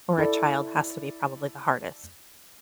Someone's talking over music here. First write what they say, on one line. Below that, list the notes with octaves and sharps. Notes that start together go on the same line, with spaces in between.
or a child has to be probably the hardest.
E4 A4 D5